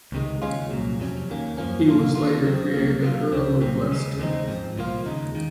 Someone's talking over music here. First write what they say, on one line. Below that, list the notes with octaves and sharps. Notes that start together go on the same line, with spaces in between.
He was later created Earl of Leicester.
C#2 C3 D#3 G#3
D#2 C#3 G#3 C#4 F4
C2 A#2 F#3
F2 C3 F#3 C#4
D#2 D#3 A#3 C#4
F#2 F3 A#3 C#4
A#2 F#3 A#3 F4
D#2 D#3 A#3 F4
C3 F#3 C4
C2 C3 F#3 A#3
C3 F#3 A#3 F4
C#2 C3 F3 C4
C2 A#2 F#3 C4
D#2 C#3 G#3
D#2 C#3 G#3 C4 D#4
G#2 F3 C4
C2 A#2 F3 A#3 F4
D#2 C#3 G#3 D#4
D#3